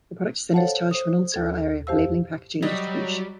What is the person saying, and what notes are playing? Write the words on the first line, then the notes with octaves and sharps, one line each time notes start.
The product is then discharged to a non-sterile area for labeling, packaging and distribution.
A4 C5 C#5 F5 F#5 A5
C5 D#6
D#2 A4 G#6
F2 G4 C5 F5 E6
F#3 G3 D#4